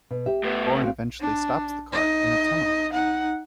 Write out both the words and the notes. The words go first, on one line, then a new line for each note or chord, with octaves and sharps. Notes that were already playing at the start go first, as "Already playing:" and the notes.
Goran eventually stops the car in a tunnel.
B2
G4 E5
A2 B3
C4 F#4 F5
D4
D#4 D#5
D#4 F#5